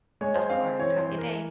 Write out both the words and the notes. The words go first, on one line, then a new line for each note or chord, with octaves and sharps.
Of course. Have a good day.
G#3 C#5
C5
C4 F5
E3 C#5
C5
E3
A#4